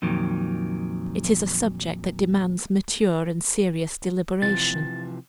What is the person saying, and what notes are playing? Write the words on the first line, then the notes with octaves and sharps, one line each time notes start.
'It is a subject that demands mature and serious deliberation.
F2 A#2 D#3 F#3
C3 E3 F3 A6